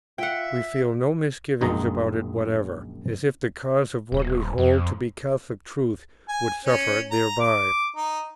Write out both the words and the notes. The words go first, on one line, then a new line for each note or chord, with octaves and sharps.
We feel no misgivings about it whatever, as if the cause of what we hold to be Catholic truth would suffer thereby.
F4 E5 F#5 G5
A#1 F#2 D#3 G#3 D#4 A#5
D#1
F2
G#5
C#4
A#5
D6
D#4